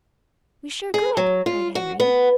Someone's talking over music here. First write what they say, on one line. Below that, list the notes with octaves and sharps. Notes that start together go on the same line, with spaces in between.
"We sure could!" cried Henry.
G#4
F#3
F4
F#4
B3